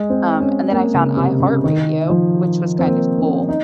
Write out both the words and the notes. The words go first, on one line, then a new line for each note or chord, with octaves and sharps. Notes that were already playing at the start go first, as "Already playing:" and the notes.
Um, and then I found iHeartRadio, which was kind of cool.
Already playing: G#3
C4
C#4
A#3
C#3
C3
C#3
D#3
F3
C4
A#3
C#4
D#4